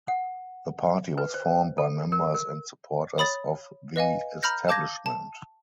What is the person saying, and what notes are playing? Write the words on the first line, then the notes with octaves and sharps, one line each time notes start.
The party was formed by members and supporters of the establishment.
F#5
B4
C5
A4
A#4
A#4
C#5 B5 D#6 A6
B4 D#5 F5 G#5
A#5 B5 F6 G6 A#6
F5 A5 D6 G6 G#6 A#6
A5